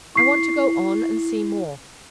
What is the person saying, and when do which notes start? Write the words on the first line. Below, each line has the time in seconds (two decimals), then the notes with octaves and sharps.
I want to go on and see more.
0.16 E4 C#6 C7